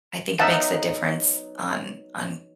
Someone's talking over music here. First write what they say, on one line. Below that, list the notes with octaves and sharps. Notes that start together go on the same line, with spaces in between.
I think, makes a difference on on
F#3 B3 D#4 E5 F#5 A5